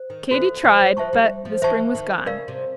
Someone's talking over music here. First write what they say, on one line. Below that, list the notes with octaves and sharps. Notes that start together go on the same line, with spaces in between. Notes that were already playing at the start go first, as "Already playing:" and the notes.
Katy tried, but the spring was gone.
Already playing: C5
D#3
E3 F#4 A4 C5
F3
F#3
F3 C5 E5 A5 C#6
G3
F3
E3 C5 E5 A5 C#6
D#3
C#3 A#4 D5 F5
C3